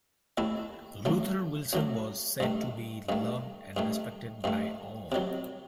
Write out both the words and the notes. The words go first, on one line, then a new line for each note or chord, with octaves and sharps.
Luther Wilson was said to be loved and respected by all.
D#2 D#3 A3 E4
F#2 F#3 A3
F#2 F#3 A3
G2 D#3 A3
G2 D#3 A3
G2 D#3 A3
G2 D#3 A3
C3 D#3 F#3